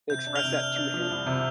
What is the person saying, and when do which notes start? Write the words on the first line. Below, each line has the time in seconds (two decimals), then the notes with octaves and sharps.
express that to him,
0.10 C3 G6
0.27 D4
0.35 F6 F7
0.43 C3
0.60 D4
0.76 D4
0.94 F3
1.10 C2
1.26 C3